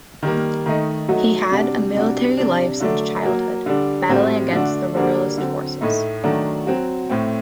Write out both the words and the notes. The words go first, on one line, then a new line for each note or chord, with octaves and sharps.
He had a military life since childhood, battling against the royalist forces.
D#3 G3 A#3
D#3 A3 D#4
F#3 A3 D#4 F#4
C3 G3 D4 F#4
C3 G3 D4 F#4
C3 G3 D4
D3 F#3 A3 D4
F#3 A#3 F#4
D3 G3 D4
A2 G3 C4 F#4
D3 A3 D4 F#4
D3 G3 A#3 D4 F#4
D3 F#3 C4
A2 A3 D#4
D#3 F#3 A3 D4 F#4
F#3 C4 F#4
A2 A3 C4